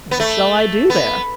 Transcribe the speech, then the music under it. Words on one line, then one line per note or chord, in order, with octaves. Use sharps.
"What shall I do there?"
B3
A3
B3